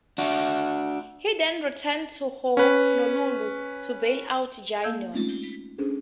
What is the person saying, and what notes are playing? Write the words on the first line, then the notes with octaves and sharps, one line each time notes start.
He then returned to Honolulu, to bail out Janion.
D4 F#4
C#4 B4
A#3 F5 A5 E6 G6 G#6
G#3 A3 C4 C#4 D#4 F4
C#4 D4 G#4 A4 C5